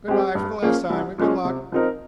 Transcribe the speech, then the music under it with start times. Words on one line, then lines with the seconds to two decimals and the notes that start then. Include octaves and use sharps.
"Good-by for the last time, and good luck."
0.08 G#3 C4 G4
0.35 G2
0.62 F3 A#3 C#4 G#4
0.90 C2
1.18 A#2 F3 G#3 C#4
1.45 C3
1.72 F3 C4 D#4 A#4